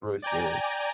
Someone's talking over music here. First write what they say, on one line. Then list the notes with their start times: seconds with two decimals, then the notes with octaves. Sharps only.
Really scary.
0.22 D5 G5 G#5 A#5